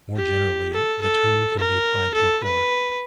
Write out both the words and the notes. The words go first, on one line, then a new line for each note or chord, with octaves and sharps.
More generally, the term can be applied to a cord.
G4
A4
A4
A#4
A4
B4